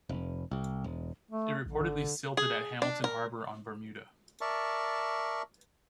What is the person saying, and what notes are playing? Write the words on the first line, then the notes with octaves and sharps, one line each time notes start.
It reportedly silted at Hamilton Harbor on Bermuda.
F1
C2
E1
A3
A#1 D3
G#1
G#4
D4
A#4
A#4 D5 E5 A5 C#6